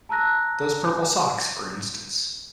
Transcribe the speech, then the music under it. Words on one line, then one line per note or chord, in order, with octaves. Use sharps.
Those purple socks, for instance.
A5 A#5 E6 F#6 A#6